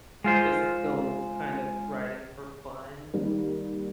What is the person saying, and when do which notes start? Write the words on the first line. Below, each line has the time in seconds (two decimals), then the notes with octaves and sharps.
just go kind of riding for fun,
0.24 G#3 F4 C5
3.13 D#3 G3 A#3 D#4